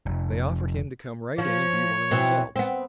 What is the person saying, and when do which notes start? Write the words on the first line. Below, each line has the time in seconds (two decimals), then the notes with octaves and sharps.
They offered him to come right in and be one of themselves.
0.06 F1
1.38 F3 C#5
2.11 B2 E3 C4
2.56 B3 C4